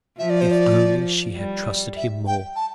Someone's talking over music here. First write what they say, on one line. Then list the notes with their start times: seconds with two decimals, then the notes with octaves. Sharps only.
If only she had trusted him more!
0.19 F3 E5
0.30 D5
0.41 C5
0.51 D5
1.37 G3
1.96 E5
2.27 G5
2.56 A5